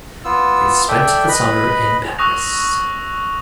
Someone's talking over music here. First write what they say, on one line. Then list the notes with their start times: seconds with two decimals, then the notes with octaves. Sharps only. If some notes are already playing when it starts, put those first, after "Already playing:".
They spent the summer in Paris.
0.25 B3 F4 E6
0.88 A4 D5 E5 G5
1.29 B4 D#5 B5
2.18 C#6 D#6 E6 F#6 A#6 F7